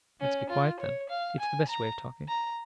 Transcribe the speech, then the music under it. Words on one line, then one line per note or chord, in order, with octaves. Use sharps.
"Let's be quiet, then: it's the best way of talking."
C#4
F4
C#5
F5
G#5
A#5
A#5